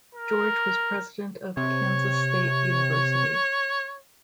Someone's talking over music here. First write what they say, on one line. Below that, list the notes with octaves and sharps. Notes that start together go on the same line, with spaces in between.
George was president of Kansas State University.
A#4
C3 C#5